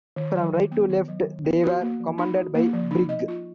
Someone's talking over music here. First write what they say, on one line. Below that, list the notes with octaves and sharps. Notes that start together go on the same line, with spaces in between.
From right to left, they were commanded by Brig.
D#3
F#3
D#3
B3
D#3
F#3
D#3
B3
F#4
A#3
F3
D#4
F#4
A#3
F3
D#4
D#5
F4